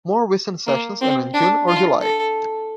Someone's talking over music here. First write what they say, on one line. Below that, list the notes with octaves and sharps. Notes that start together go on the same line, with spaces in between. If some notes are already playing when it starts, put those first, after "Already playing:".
More recent sessions ended in June or July.
A#3
C4
D4
F4
A4